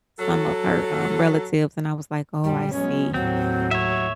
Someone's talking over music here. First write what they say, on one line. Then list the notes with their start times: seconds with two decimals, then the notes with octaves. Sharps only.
some of her, um, relatives, and I was like, "Oh, I see."
0.19 F#3 A4
2.44 F#2 A#2 G3
2.73 F#3 G#3 B3 C#4
3.14 D#2 A2 F#3 C4
3.71 C#5 E5